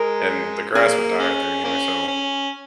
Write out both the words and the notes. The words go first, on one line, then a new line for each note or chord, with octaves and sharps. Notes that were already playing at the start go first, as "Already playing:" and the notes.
and the grass would die out there anyway so
Already playing: G#3 A#4
C#3 A#3 G#4
A#3 C#4
A#3 C#4
C#4